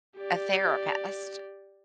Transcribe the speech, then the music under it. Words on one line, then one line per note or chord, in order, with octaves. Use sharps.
a therapist
G4 D5